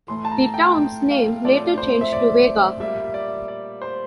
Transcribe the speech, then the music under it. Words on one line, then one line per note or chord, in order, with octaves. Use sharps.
The town's name later changed to Vega.
A2 E3 A3 C6
A5
A#5
G5
F5
A2 F3 A3 C4 D5
C5
E5
D5
A#2 G3 A#3 E5
D5
D5
C5